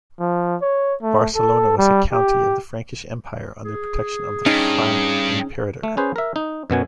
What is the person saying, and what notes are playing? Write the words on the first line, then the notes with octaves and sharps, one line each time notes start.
Barcelona was a County of the Frankish Empire, under protection of the Franc Imperator.
F3
C#5
A3
A4
G3
G4
G#4
G2 C#4 D#4
A3
C#4 G#4 B4 C5
A#4 E5
D#4
F#2 B2 F#3 G#5